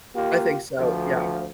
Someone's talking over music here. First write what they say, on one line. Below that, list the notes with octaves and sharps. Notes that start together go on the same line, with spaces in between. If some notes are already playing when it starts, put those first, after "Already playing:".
I think so, yeah.
A#3 F4 G4
D2 F3